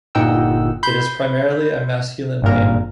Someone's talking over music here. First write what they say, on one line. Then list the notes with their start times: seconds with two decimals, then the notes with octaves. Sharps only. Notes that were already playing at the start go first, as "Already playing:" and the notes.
It is primarily a masculine name.
0.15 G1 A#2 D#4 F#5 G5 E6
0.83 B5 C6 G6
2.42 G#1 G2 A#2 A#4